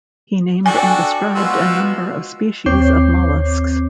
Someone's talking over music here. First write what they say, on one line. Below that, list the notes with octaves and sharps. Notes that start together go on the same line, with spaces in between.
He named and described a number of species of molluscs.
D4 F#4 A4 D5 G5 G#5
B2 F3 G#3 F#4 E6
D#2 C4 C#5 D6 G6 C7